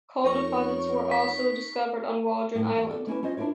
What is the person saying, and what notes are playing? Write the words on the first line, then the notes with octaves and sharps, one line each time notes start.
Coal deposits were also discovered on Waldron Island.
F2 D#4 A#4 C#5 C#6
B6
A2 A3
E2 G5
A4 D5
A#3 C#4 E4 B4
C#4 F4 C5 D#5
D4 E4 F4 A#4 C#5